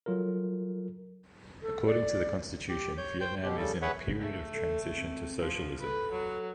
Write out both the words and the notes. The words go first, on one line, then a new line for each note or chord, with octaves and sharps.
According to the Constitution, Vietnam is in a period of transition to socialism.
F#3 F4 A4 A#4
A4
D5
G4
C#5 G6
C5 G5 G6
B2 G4
C#3 G3 A4
G#4 B4 C#5 E5 F#5
A3
A4
C4
F3
A4 B4
F#3